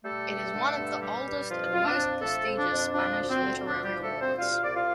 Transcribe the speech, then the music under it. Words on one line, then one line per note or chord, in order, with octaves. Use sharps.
It is one of the oldest and most prestigious Spanish literary awards.
G3 A3 A4
G2
D3
G2
G3
G2
F2 F3 F4
F2 F4
D4
F3
F3 A3 A4
F2
D4
F2
F3 D4
D2
C4
D3
D2 D4
G3 G4
F3
A3 A4
D2
C4 C5
G3 F4 F5
C2 D5
F4 F5